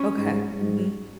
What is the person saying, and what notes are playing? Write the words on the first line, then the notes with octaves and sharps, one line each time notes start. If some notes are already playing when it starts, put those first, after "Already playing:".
Okay, mhm.
Already playing: C#4
G#2
G#2